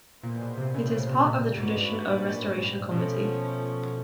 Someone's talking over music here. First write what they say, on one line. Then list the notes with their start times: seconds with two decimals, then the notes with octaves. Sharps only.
It is part of the tradition of Restoration Comedy.
0.23 A#2 B3 E4 G#4 C5
0.41 B2
0.57 C3
0.74 C#3
0.91 C#3
1.07 C3
1.24 A#2
1.41 A2
1.57 G#2 C#4 F#4 B4 D5
1.74 G2
1.91 G#2
2.08 A#2
2.91 B2 F3 A3 C#4